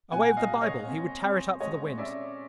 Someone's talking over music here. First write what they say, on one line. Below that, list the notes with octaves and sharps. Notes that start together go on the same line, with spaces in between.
Away with the Bible: he would tear it up for the winds!
A#2 F#5 G#5
D#5 F5
G3
C#5 D#5
C4
C4
G#3 C#5 D#5
C#4 D5 E5